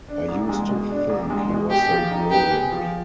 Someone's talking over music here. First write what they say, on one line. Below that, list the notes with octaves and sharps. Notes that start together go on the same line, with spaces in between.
I used to think he was so brilliant.
D4
C2
G#3
B2
D4
C2
G#3
B2
G4 G#4
F3
D#4
B3 G4
G#4
F3